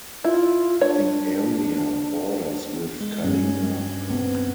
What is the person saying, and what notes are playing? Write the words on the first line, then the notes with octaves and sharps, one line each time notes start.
The area borders with Kalinga Park.
E4 F4
D4 C#5
G#3
G2 F#3 G3 C#4
B3 C4